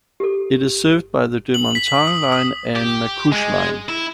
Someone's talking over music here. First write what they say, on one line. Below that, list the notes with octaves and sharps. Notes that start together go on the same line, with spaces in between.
It is served by the Deux-Montagnes line and Mascouche line.
G4 A4
F#7
B6
D#6
D#6
G4
G#3
E4